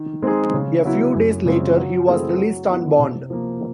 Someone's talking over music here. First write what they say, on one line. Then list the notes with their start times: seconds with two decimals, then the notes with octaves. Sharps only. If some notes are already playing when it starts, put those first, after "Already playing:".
A few days later, he was released on bond.
Already playing: D#3
0.22 G#3 C4 D#4 G#4
0.54 C#3
0.85 F#3 B3 E4
1.15 F#2
1.46 C#3 F3 G#3 C4
1.77 F#3
2.07 A3 C4 E4 G#4
2.37 F#3
2.68 B3 E4
2.99 C3
3.30 F3 A#3